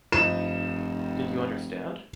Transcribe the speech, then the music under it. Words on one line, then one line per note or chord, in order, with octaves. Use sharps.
Did you understand?
F1 G2 F3 D#4 E7